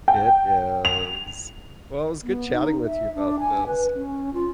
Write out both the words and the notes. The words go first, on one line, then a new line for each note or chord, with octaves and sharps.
It is. Well, it was good chatting with you about this.
G5
F7
B3
D#4
E5
D4
G#5
B4
C#4
F4